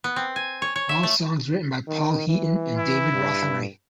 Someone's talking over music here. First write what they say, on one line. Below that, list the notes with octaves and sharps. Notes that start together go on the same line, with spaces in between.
All songs written by Paul Heaton and David Rotheray.
B3
C4
G#5
C#5
C#5
E5
A3
D#3
E3
E4
G2